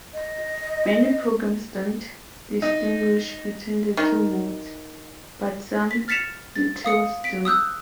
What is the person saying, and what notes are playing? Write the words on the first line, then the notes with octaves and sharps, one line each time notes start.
Many programs don't distinguish between the two modes, but some utils do.
D#5
D#4
D#3
B6
F6 A6 B6 C#7 E7 F7
A6
F5 D#6 C#7
B6 D7
D#6 E6 F#6 G6